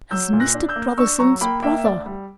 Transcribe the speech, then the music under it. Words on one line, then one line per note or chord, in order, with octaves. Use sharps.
"As Mr. Brotherson's brother."
F#3 E6 G6
A#2
F#6 A#6
D4
E6 G6
A#3
D4 C#6 E6
F#3 A#5 C#6
A#3 G5 B5
A#3 E5 G5
E5
D2 D5
G3